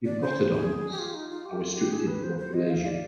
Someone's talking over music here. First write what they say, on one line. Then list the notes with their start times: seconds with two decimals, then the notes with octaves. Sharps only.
Diprotodonts are restricted to Australasia.
0.05 D5
0.21 C5
0.52 G#4
0.92 G4
0.99 F4
1.14 D#4
1.30 F4
1.46 G4
1.61 F4
1.76 G4
1.92 G#4
2.07 B4
2.23 C5
2.39 C5
2.54 D#5
2.70 F5
2.85 D5